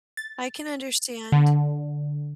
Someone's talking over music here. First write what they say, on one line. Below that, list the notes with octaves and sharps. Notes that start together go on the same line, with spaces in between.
I can understand.
A6
D3